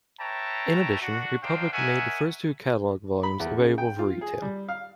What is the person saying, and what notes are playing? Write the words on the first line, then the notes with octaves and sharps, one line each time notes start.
In addition, Republic made the first two catalogue volumes available for retail.
B4 C#5 E5 G5 A5 A#5
D4 F#4
D4 D#4 A#4 C5 F5 G5
D#4 A#4 C#5 E5 F#5 G#5
B5
E2
C#3
G5
F4
G#4
G3
F5